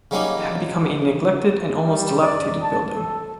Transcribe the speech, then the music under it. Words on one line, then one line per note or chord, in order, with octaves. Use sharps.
It had become a neglected and almost dilapidated building.
C#3 F#3 G3 A#3 C#4 D#4
G3
D5
A5
A4